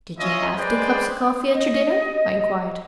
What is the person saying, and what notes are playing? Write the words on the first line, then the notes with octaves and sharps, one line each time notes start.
"Did you have two cups of coffee at your dinner?" I inquired.
C#4 E4 F4 D#5
G#3 G#4 B4 C5 D5 G5
D#5